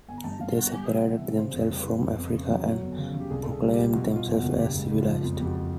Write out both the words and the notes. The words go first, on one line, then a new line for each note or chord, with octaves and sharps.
They separated themselves from Africa and proclaimed themselves as civilized.
G1 G#5
A#5
G2 A5
G2 F5
G1 F#5
G3 G#5
C3
F#5
E3
E5
C3
C#3 C5
F2
G3
B4
E3
F2
F2
C#3
F#3
F#3
G1
C#3
C#3
G4
C2 G#4
C2 A4
G#4
G3
G4
G3
B2 F4
B2
F4
E2
F#4
F#1
C#3 G4
C#2
C#2
F4
F3
F2 F4
F2 G4
F#4